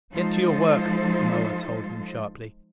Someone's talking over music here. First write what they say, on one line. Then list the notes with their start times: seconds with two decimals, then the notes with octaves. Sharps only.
"Get to your work," Moa told him sharply.
0.12 F3 G#3 D#4 F4 A4 C5